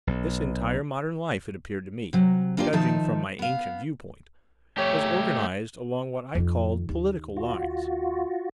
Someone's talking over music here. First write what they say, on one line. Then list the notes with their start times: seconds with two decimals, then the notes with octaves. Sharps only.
This entire modern life, it appeared to me, judging from my ancient viewpoint, was organized along what I called "political" lines.
0.07 B1
2.13 C3 F#3
2.57 A#3 D4 F4 G4 D5
2.73 D#3 F3 D#4 E5 A5
3.39 B3 F5
4.78 A3 G4 C#5
6.35 F2 D#3
6.89 D#2
7.37 F4 F#4